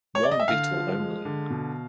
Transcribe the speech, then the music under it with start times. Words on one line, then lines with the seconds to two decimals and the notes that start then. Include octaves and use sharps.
One beetle only.
0.15 C#5
0.23 D5
0.31 D#5
0.40 E5
0.48 D3 F5
0.74 F3
0.99 G#3
1.25 D3
1.50 B2